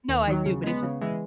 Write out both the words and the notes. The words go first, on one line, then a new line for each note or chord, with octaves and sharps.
No, I do, but it's just funny.
D#2
D#3 F#3
C#3
G#3 B3
C#3
E3 G#3